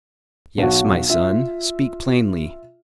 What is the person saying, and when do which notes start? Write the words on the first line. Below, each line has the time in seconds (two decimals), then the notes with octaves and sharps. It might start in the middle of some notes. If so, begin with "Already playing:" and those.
"Yes, my son, speak plainly."
0.58 B1 F#4
1.09 F4 E5